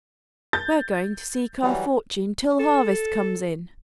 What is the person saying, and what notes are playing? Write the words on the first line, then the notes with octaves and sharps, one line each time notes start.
"We're going to seek our fortune till harvest comes in."
G6 A6
E3 F#3 G3
A4